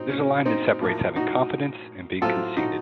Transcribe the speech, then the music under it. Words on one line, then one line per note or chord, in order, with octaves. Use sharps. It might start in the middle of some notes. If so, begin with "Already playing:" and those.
There's a line that separates having confidence and being conceited.
Already playing: C4 D#4
C#4
C4 D#4
A2 F3 A#3
D#4 F#4
A2 F#3 C4 F4 A4
D#4 F#4